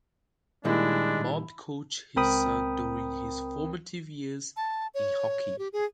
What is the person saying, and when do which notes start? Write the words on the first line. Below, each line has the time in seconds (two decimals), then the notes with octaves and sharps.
Bob coached his son during his formative years in hockey.
0.65 A#2 D#3 G3 G#3 D4 E4
2.16 C#2 C4 A#4 G5 B5 D#6
4.57 A5
4.94 C#5
5.59 G4
5.73 G#4